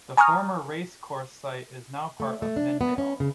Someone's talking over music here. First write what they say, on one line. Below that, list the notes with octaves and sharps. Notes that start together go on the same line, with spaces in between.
The former racecourse site is now part of Midvale.
G#5 A#5 C#6 D#6 F6
A3
A3
D4
B3
C#4
C#3